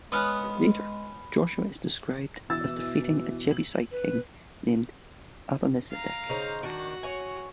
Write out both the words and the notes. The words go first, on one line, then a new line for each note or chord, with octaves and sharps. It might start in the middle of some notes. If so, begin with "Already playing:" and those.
Later, Joshua is described as defeating a Jebusite king named "Adonizedek".
G#3 B3 C#4 B5 D#6 F6 F#6
B2 E3 E6 A6
F#7
B4
F5 A#5
C#3 D#4 C5
D#3 D4 F#4
C#5 G#5